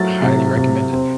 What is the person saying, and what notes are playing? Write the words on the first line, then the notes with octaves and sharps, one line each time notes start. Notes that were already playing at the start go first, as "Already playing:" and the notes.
highly recommend it,
Already playing: F#3 A3 A6
C3
C3
C4